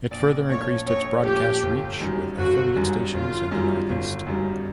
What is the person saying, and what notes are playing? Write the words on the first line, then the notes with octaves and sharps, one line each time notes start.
It further increased its broadcast reach with affiliate stations in the northeast.
A#1 D5
A#2 F3 A3 C#4 C#5
A#1 C#5
A#2 F3 A3 C#4 G4
G1
F#2 D#3 G3
G1 F#4
F#2 D#3 G3
G1 F4
F#2 D#3 G3
G1
F#2 D#3 G3